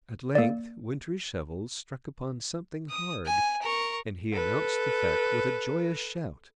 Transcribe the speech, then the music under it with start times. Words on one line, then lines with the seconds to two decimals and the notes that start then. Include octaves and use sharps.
At length Winter's shovel struck upon something hard, and he announced the fact with a joyous shout.
0.35 A#3 D5
2.90 D#6
3.25 G#5
3.62 A#4 C#6
4.32 A4 B4